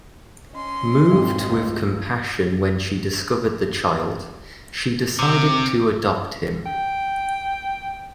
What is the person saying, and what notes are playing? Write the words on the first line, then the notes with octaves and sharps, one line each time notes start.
Moved with compassion when she discovered the child, she decided to adopt him.
C#4 D#5 C6
G#1 F2 B2 D#3
C#2 A2
C3
G5